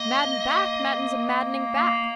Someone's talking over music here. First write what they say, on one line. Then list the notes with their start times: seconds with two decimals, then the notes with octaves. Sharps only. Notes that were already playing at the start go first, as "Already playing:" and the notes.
Madden back Madden's a maddening back.
Already playing: A#3 D#5
1.75 A#3